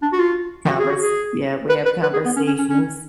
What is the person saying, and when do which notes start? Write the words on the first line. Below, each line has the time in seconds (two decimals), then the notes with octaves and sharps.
convers yeah, we have conversations.
0.02 D4
0.12 F#4
0.19 F4
0.69 F#4
0.79 G#4
0.90 F#4
1.02 G#4
1.69 B4
1.85 B4
2.02 B4
2.13 G#4
2.25 B3
2.36 C#4
2.47 C#4
2.58 C#4
2.69 C#4